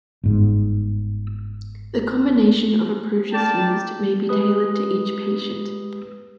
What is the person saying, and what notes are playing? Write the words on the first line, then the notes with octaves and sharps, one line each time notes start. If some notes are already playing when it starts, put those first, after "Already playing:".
The combination of approaches used may be tailored to each patient.
G1 G#2
A#4 D5 G5 A5
G#3 G4 B4 D#6